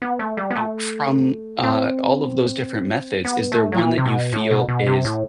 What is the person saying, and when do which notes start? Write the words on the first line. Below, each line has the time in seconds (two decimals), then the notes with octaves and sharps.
Oh, from, uh, all of those different methods, is there one that you feel is
0.02 B3
0.19 A3
0.37 G3
0.50 B3
0.55 A3
1.63 C4
3.25 B3
3.52 A3
3.72 F#3
3.78 E3
3.98 C3
4.06 B2
4.33 A2
4.51 B2
4.68 B2
4.87 C3
5.05 A2